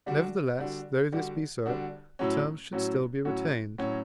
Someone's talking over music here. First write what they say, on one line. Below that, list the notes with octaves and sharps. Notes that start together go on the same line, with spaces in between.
Nevertheless, though this be so, the terms should still be retained.
D3 G3 D4 F#4
D3 G3 D4 F#4
D3 G3 D4 F#4
D3 G3 D4 F#4
A2 F#3 C#4 F#4
A2 F#3 C#4 F#4
A2 F#3 C#4 F#4
A2 F#3 C#4 F#4